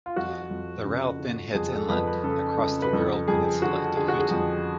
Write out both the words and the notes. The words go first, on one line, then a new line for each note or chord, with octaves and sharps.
The route then heads inland, across the Wirral peninsula, to Hooton.
F4
F2 F#4
F2
C#3
C#3
F2 G#4
A4
F2 B4
B4
C#3 A4
C#3
B4
F2 A4
F2 G#4
D3 F#4
D3 G#4
F#4
G#4
F2